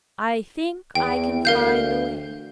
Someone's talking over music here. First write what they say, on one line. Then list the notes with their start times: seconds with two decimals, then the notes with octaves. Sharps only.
"I think I can find a way."
0.95 E2 G5
1.45 D2 A#4 F5 G6